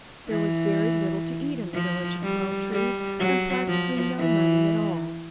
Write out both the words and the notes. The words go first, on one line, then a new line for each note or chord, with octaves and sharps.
There was very little to eat in the village of Twelve-trees, and practically no money at all.
E3
F3
G3
G3
F#3
F3
E3